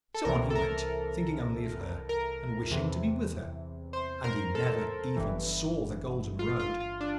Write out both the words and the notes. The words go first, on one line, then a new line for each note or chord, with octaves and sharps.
So on he went, thinking only of her, and wishing to be with her; and he never even saw the golden road.
A4
C2 C3 E3 A#4
A4
A#4
A#4
E2 C3 E3
C5
A#4
A4
G1 G2 E3
F4
F4
F4
D4